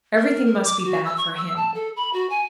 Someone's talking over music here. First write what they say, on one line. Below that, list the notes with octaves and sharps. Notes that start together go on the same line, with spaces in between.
Everything must be bad for him.
A#4
A#4
D6
F#4
E6
C#6
E6
A5
A4
B5
F#4
G#5